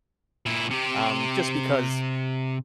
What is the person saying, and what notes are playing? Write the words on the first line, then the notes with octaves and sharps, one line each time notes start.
um, just because
A#2 E4
C3 G4